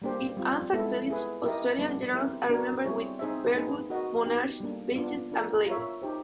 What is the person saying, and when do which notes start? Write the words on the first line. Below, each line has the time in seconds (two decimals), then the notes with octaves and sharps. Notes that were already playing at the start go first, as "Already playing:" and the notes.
In Anzac Village, Australian Generals are remembered with Birdwood, Monash, Bridges and Blamey.
0.02 G3 A#3 D4 G4 C5
0.37 G3 C4 F4
0.73 G#3 B3 E4 A4
1.08 E4 G#4 B4
1.44 E4 G4 A#4 D#5
1.79 G3 B3 D4
2.14 C4 E4 G4 A#4
2.49 B3 D4 F#4 A#4
2.85 G3 C4 E4 G#4 C#5
3.19 C4 D#4 G#4 C5 E5
3.55 A#3 D#4 G#4 B4
3.90 F#4 A#4 D#5
4.25 B3 D#4 G4
4.60 G3 A#3 D4
4.96 B3 D4 F4
5.32 D4 F4 A#4
5.67 F4 A#4 C#5 E5
6.02 D#4 G4 C5